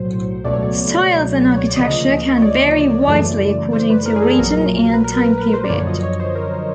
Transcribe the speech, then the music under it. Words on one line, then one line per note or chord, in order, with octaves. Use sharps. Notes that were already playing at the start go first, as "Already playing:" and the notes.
Styles and architecture can vary widely according to region and time period.
Already playing: B1 A2 F#3 C5
C#2 B2 F#3 A3 D5
C#5
D5
C#5
D5
D2 C#3 F3 A#3 D#5
C#5
D5
F#2 C#3 E3 A3
C5
B4
A#4
G#4
A4
A#1 A#2 F#3 A#4
B4
A#4
A#4
B4
B4
C5
D5
F#2 D3 F3 C#5
D#5
C#5
C5
A#4